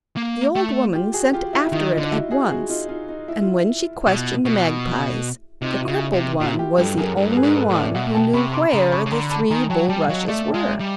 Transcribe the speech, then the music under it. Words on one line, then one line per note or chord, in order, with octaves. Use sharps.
The old woman sent after it at once, and when she questioned the magpies the crippled one was the only one who knew where the three bulrushes were.
A#3
A3
F4 G4
F#4 G#4
F4 G4
E4 F#4
E4
D#3 D#4 F4
D#4 F4
D3
E4 F#4
F#4 G#4
F#4 G#4
D#4 F4
D#4 F4
D#4
E4
F4
E4
B2
B2
C3 D#4 F4
E4 F#4
C#3
E4
C3
A#2 E4 F#4
F4 G4
G2 G4 A4
F#2 G#4 A#4
G2
B4
G#4 A#4
G#2
A4 B4
A2
D5 E5
B2 E5 F#5
A#2
B2 G5 A5
C3 B5 C#6
C6 D6
C#3 A#5 C6
B5 C#6
C#3
D3 A#5 C6
A5 B5
D#3 G#5 A#5
F#3 G5 A5
G3 G5 A5
F#3 D#5 F5
A3 D5 E5
G5 A5
G#3
F5
D5 E5
G3